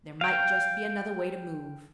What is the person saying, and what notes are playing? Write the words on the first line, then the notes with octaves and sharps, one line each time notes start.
There might just be another way to move.
F5 G5